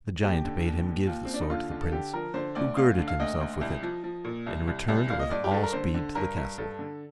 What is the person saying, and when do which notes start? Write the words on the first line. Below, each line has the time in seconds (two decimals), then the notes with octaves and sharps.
The giant bade him give the sword to the prince, who girded himself with it, and returned with all speed to the castle.
0.22 D#2 G4
0.44 D3
0.65 D#2
0.86 D#2
1.07 D#2 F4
1.25 C4
1.29 D#2 D4
1.41 D#4
1.50 D3 F4
1.72 D3
1.81 A4
1.92 D3 G4
2.13 F3 A#4
2.34 D3 C5
2.55 D2 D5
2.77 D2 F5
2.98 D3
3.08 F5
3.20 D2 D#5
3.41 D2
3.61 C2
3.82 F3
4.04 F3
4.24 A#2
4.46 C2
4.67 C2
4.88 C2
5.10 A#2 F5
5.19 D#5
5.30 G2 D5
5.44 G4
5.51 G2 A4
5.63 A#4
5.72 D3 C5
5.94 D3
6.15 G2 A#4
6.37 G2
6.58 G2 A4
6.79 D3